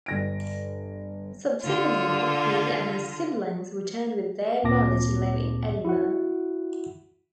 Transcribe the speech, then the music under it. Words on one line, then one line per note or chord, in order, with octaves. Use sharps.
Subsequently, he and his siblings returned with their mother to live in Edinburgh.
G1 A#6 D7
D3 F4
D2 A#2 C4 A5 D6 A#6
E4 F#4 F#5